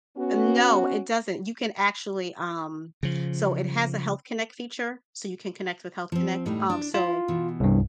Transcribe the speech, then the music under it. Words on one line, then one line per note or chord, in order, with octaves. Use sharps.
No, it doesn't. You can actually, um, so it has a Health Connect feature, so you can connect with Health Connect, um, so,
B3 C#4 F#4
C#3 F3
F3 C4
A2 G3 D#4
D4
E4 F4
B2 E3
C2 G2